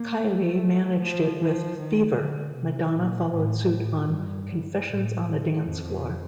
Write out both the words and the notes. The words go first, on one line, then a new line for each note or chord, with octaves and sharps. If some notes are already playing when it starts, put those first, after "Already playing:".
Kylie managed it with "Fever", Madonna followed suit on "Confessions on a Dance Floor".
Already playing: A#3
A3
F3
F3
D#3
D3
C3
A#2
A2
G2
A2
F2